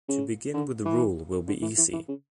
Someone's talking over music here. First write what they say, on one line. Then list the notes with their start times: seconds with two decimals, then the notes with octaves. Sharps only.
To begin with the rule will be easy.
0.09 C#3
0.54 D3
0.85 E3
1.47 D3
1.62 E3
1.78 E3
1.93 E3
2.08 C#3